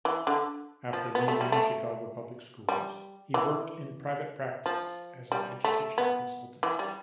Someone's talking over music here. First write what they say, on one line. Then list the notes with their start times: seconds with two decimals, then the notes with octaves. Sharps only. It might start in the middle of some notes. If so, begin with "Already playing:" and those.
After leaving Chicago Public Schools he worked in private practice as an educational consultant.
0.05 E3
0.27 D3
0.93 F3
1.15 B3
1.28 A3
1.41 G3
1.52 A3
2.69 G3
3.34 E3
4.66 F3
5.32 G3
5.64 A3
5.98 B3
6.63 E3
6.79 G3